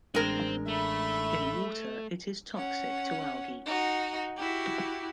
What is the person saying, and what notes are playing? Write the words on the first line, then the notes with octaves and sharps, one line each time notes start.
In water, it is toxic to algae.
A1 G#3 C4 D4 A#4
A3 E5 B5
C#4 F#5
D#4 F#4
E4 F#4 G4